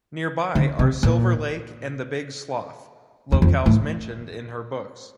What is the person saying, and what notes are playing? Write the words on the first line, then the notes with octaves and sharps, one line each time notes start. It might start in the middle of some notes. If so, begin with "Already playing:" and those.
Nearby are Silver Lake and the Big Slough, locales mentioned in her books.
D3
C3
A#2
E2
F2
A2